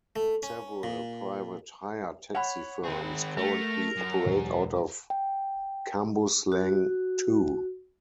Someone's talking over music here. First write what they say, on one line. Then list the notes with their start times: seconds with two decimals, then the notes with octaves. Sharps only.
Several private hire taxi firms currently operate out of Cambuslang too.
0.16 A3
0.43 C#4
0.83 A#2
2.35 C#5 F#5 B5
2.84 D#3 C4 G#4
3.37 A3 A#4
3.96 F#2
4.26 E1
5.10 G5
6.52 F#4